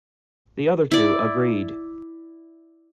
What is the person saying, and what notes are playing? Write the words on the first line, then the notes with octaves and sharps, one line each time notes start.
The other two agreed.
E4 D5